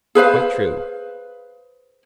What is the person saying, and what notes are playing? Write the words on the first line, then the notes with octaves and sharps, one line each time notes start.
Quite true.
G#4 B4 C5 F5